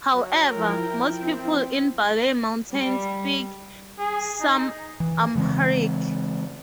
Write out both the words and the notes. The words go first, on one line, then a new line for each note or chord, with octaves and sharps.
However, most people in Bale Mountains speak some Amharic.
F#3
F3 E4 A#4 G5
C4
G3
G#4
D#4
E3
C#3 E3 G#3 C4